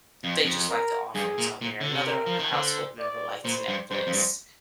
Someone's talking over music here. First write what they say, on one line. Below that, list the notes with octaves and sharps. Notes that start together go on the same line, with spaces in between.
they just like the offerings on there, another h household member likes Netflix;
F2
F2
A#4
G2 G#4
A#2
A#2
D3
C3
A#4
F3
D#3
D3 C5
D5
A#2 C5
G2
G2 C5
F2
G2